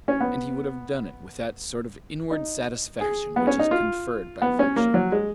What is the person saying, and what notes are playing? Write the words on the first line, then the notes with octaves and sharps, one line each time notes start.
And he would have done it with that sort of inward satisfaction which is conferred by virtue.
C#4
B3
D#4
G#4
B3
C#4
D#4
F4
B3
C#4
A#3
F#3
G#3